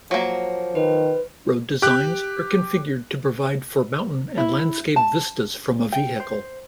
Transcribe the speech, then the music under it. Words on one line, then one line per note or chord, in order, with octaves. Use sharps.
Road designs are configured to provide for mountain and landscape vistas from a vehicle.
F3 F#3 A#3
D#3 B4 C5
G4 D6 F#6
E4
A5
G5
C5